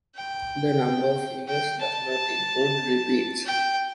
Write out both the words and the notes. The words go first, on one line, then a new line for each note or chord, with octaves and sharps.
The number of viewers does not include repeats.
G5
G5
A5
G5